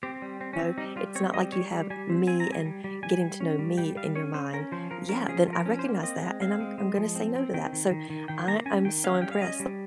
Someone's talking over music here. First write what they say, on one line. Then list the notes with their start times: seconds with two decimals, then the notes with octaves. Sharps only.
know, it's not like you have me and getting to know me in your mind. Yeah, then I recognize that, and I'm I'm gonna say no to that, so I I'm so impressed,
0.03 C4 G4
0.22 G3
0.41 C4
0.53 C#4
0.59 C4
0.78 G3 D#4
0.96 G3 F4
1.15 C4 C#5
1.34 G3 D#5
1.52 G3 C#5
1.72 G3
1.90 G3 G#5
2.10 C4
2.27 C4 G#5
2.40 A#5
2.47 G3
2.53 G#5
2.65 G3
2.84 G3
3.03 G3 G#5
3.21 G3
3.40 C#4
3.59 G3
3.78 G3 G5
3.96 G3 F5
4.16 C#4 C#5
4.34 C#4 C5
4.53 C#4 A#4
4.72 F3 C5
4.91 F3 A#4
5.09 C#4 A#4
5.28 F3 G#4
5.48 F3
5.53 A#4
5.66 C#4
5.79 C5
5.84 A#3
6.03 C4 D#5
6.22 G#3
6.41 C4 F5
6.60 G#3
6.78 G#3
6.98 F3
7.16 C4
7.36 C4
7.54 D#3 G5
7.73 D#3
7.91 D#3
8.10 D#3
8.28 D#3 G5
8.48 A#3 A#5
8.66 C#4 G#5
8.85 D#3 G5
9.04 C#4 F5
9.22 G3 G5
9.31 F5
9.41 C#4 D#5
9.60 G3